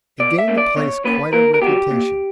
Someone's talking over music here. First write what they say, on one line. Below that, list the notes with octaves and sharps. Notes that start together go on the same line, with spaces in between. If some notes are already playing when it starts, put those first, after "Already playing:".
It gained the place quite a reputation.
B2 D5
E5
A#3 C#4
D5
B2 C#5
A#3 C#4 B4
A#2 A#4
A#4
F#3 B3 G4
A#2